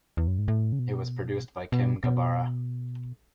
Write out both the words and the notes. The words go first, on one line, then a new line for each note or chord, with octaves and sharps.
It was produced by Kim Gabara.
E2
F#2
G#2
A2
C#3
B2
B2
B2